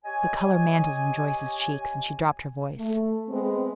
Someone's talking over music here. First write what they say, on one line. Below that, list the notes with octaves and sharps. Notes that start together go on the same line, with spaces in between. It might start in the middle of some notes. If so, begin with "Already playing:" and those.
The color mantled in Joyce's cheeks, and she dropped her voice.
G4 C#5 D#5 G#5
A3
G#3 B3 C4